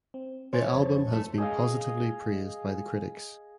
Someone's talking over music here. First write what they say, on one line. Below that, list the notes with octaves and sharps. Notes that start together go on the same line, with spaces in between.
The album has been positively praised by the critics.
C4
C5 C#5 G#5 A6
F2 C5 A5
A3
G#4 D#5 F5